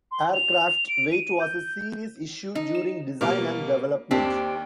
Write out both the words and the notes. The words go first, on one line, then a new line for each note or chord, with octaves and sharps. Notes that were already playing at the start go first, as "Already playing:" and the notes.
Aircraft weight was a serious issue during design and development.
C6
F7
D7
D#7
G6
D#4
E7
B2 G3 A#3 A#4
D#2 C4 D4 G4